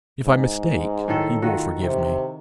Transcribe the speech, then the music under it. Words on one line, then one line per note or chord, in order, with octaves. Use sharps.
If I mistake, he will forgive me.
G#2
A2 D#3 A4
D#3 F4 F#4
C3